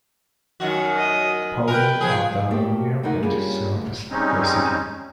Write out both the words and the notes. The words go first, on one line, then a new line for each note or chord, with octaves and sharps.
Paulo Abdala Airport serves the city.
F#2 D#3 F#4
D#5
A#4 B4 G5
F3 G#4
A3 A#3 C4 G4 A4
D2 D#3 A3 D#4 F#5
G3 A#3 C#4 D4 F4 G#4
D2
G3 G#3 C4 C#4 D#4